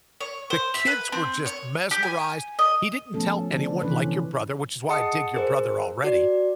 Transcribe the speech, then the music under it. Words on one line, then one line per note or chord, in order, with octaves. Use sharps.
The kids were just mesmerized. He didn't tell anyone like your brother, which is why I dig your brother already,
C#5
C5
E5
B4
C4
C#5
G4
G#5
D#5
F3 A3 B3 C#4 A4
D3 C4 D4
C3 E3 C#4 B4
G#4 D#5 F#5 A5 D#6 C#7
G#4 A#4 C5
F#4 D5